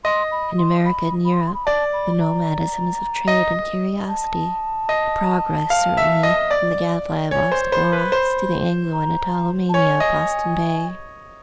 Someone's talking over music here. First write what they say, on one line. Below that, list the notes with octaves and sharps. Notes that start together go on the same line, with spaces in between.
In America and Europe the nomadism is of trade and curiosity; a progress, certainly, from the gad-fly of Astaboras to the Anglo and Italo-mania of Boston Bay.
D#5 C6
B5
C6
B5
B5
C6
B5
C6
B5
D5 A5
B5
A#5
D#5
A5
D#5
F5
E5
D#5
D5
C#5 G#5
C5
C5 B5
B4
C5
A#5
A5
C#5 G#5
D#5